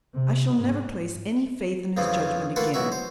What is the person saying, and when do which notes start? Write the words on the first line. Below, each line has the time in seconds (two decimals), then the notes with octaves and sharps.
I shall never place any faith in his judgment again.
0.16 C3
0.57 G#2
1.97 F2 C#3 E3 F3
2.56 A3 A#3 F4 B4 F#5
2.74 B1 E3 F#4 E5
2.92 C5